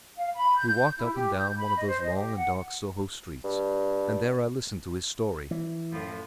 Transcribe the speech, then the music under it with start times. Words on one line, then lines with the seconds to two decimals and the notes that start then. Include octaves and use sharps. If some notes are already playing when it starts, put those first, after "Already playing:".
We walked up and down one of those long and dark Soho streets, and there I listened to his story.
0.16 F5
0.35 B5
0.58 G6
0.98 E4
1.14 G4
1.35 G6
1.58 B5
1.75 D#5
1.88 C5
2.03 D#5
2.15 G4
2.35 F#5
3.44 G2
5.51 E3
5.92 F#2 A2 F3